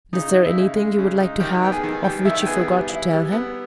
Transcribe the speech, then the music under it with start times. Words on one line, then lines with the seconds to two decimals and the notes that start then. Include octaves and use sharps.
"And is there anything you would like to have of which you forgot to tell him?"
0.13 C#3 D#4 D#5
0.34 D#4
0.45 E4 E5
0.55 C#3
0.77 G#3
0.99 C#3
1.19 D#4
1.40 D#3 G4 G5
1.62 B3 G5
1.72 G#4 G#5
1.84 D#3
2.04 G3 G4 G5
2.25 D#3 E4 E5
2.42 G5
2.46 B3 G#4 G#5
2.68 G3
2.89 E4
3.11 G3
3.32 B3